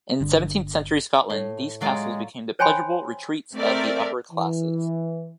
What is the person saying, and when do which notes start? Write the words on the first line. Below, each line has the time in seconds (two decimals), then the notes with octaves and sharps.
In seventeenth century Scotland these castles became the pleasurable retreats of the upper-classes.
0.20 G1 D3
1.30 A2
1.81 F#3 G#3 F4 D5
2.59 C5 C#5 G5 G#5 B5 C6
3.55 A3 C4 A#4 D5 E5
4.32 E3